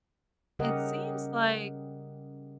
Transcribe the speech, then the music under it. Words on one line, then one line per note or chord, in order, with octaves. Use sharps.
it seems like
C#3 G3 G4 A#4 D#5 F#5